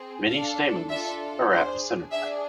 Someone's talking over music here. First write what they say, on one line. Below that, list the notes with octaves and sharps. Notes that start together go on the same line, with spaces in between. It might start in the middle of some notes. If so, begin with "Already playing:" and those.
Many stamens are at the center.
Already playing: C4 G#4
D4 A4 F5
D4 F4 A4 E5
D4 G#4 C5
D4 G#4 E5